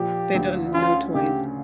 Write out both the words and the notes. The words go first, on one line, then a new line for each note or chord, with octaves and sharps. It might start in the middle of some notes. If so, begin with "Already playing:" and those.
They don't no toys.
Already playing: A#2 F3 G4
D2
C#4 F4
C#3 G4